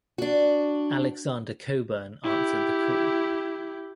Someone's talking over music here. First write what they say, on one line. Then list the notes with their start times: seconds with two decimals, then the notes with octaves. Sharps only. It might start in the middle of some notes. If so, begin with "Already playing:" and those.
Alexander Cockburn answered the call.
0.18 D4 F#4
2.24 E4 G4